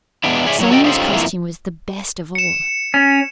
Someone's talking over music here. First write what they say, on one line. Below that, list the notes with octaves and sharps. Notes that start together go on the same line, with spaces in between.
Sonya's costume was the best of all.
E2 G#2 G#3 B3 D4 E4
G#4 C#5 D5 E5
A2 F#3 C#5
F#4 A4 D#5 G5
C#4 D#4 F4 G4 A4 C5
F2 E3 A3 A#3 E4 F4
C#7 E7
C#4